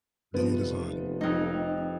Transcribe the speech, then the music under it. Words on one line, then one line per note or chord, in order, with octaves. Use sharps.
The Heat Is On.
F1 F3 B3
F2 D#4